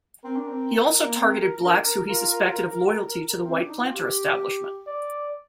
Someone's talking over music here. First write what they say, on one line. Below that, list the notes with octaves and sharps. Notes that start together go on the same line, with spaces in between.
He also targeted blacks who he suspected of loyalty to the white planter establishment.
C4 A#4
D4
C4
A#3
C4
D4
F4
C4
D4
D#4
F4
G4
D5